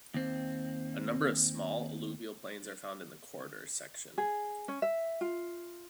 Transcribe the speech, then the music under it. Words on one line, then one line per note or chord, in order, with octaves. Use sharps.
A number of small alluvial plains are found in the corridor section.
D#2 C4
G#4
C#4
E5
F4